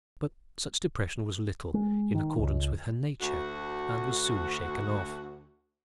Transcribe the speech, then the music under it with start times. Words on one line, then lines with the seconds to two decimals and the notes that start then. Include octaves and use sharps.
But such depression was little in accordance with her nature, and was soon shaken off.
1.74 G#3
2.15 D#3
2.39 C#2
3.21 D2 F#4